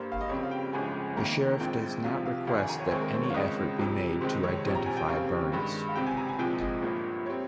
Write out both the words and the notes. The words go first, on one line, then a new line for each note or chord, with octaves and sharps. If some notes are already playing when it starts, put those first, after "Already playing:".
The sheriff does not request that any effort be made to identify Burns.
Already playing: G2 G3 A#3 C5
F5
D#5
F2 C#3 G3 C4 C#5
F5
G5
G1 F2 C#3 F3 G#3 G#5
F2 D#3 A#3 A#5
A#1 A#2 G#3 C4 G5
C2 C3 F3 F5
F5
G1 F2 D#3 F5
G#5
A#5
C#5
C5
D#2 D#3 G#3 C4 C#5
A#4
C5
C#5
F5
C#2 C#3 G#3 C4 D#5
F1 F2 C3 F3
C#2 C3 D#3 G#3 C4 C5
C#5
A#1 A#2 G3 C4
A#5
G#5
G5
D#2 C#3 G3 C4 F5
G2 D#3 G#3
F5
C#2 C3 G3 C4 G5
G#5
A#5
G#5
C2 A#2 F3 G#3 C4 G5
D#5
G1 G2 F3 A#3
G3 C4 C#5